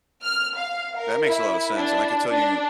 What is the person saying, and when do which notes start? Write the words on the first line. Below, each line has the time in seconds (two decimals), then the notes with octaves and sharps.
That makes a lotta sense, and I could tell you-
0.24 F6
0.56 F5
0.96 A#4
1.26 E4
1.77 D4
2.31 D4